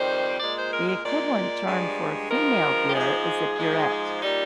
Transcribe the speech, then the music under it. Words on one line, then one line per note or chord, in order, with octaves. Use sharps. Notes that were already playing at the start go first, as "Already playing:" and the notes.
The equivalent term for a female beur is a beurette.
Already playing: F2 D#3 G3 C5
A#2 G#3 D5
C5
A#4
A#4
A#2 G#3 D5
G2 F3 G#3
G2 F3 G#3 A#4
G4
G#2 F3 G#3 G#4
G#2 F3 G#3
A#2 G3 D#4